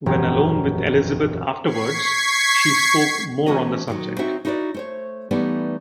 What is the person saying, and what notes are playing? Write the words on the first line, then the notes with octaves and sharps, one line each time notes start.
When alone with Elizabeth afterwards, she spoke more on the subject.
E1 A#1 F#2 G#3 G4 A#5
C#6 G#6 B6 C7
E3 A3 C#4 F#4 D#5
A#2 D#3 F#3
C4 D#4 F#4 C#5 E5
D#4 E4 F#4 B4 C#5 D5
A3 C5 C#5
E3 G3 A3 B3 D#4 D5